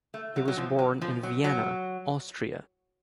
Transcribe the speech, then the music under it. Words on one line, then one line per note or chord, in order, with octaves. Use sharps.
He was born in Vienna, Austria.
A3
F#3
F#3
F3
F#3
F3
F#3
F#3